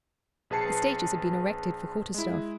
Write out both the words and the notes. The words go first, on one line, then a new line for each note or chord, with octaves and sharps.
The stages had been erected for quarter-staff.
A#1 G#4 B4 A5 C7 C#7
G#3 E4